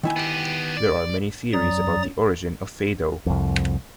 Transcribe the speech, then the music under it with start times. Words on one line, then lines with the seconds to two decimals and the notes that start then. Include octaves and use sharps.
There are many theories about the origin of fado.
0.03 D#3 E4 G#5
0.16 B3 G4
0.77 D5
1.53 F#2 F#3 D5 A#5 D#6 A6
3.26 C2 F2